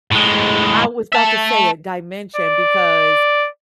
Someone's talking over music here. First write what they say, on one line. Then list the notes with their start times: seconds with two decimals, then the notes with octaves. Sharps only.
I was 'bout to say, a dimension, because
0.12 A2 G#3
1.12 E5 A5
2.36 D5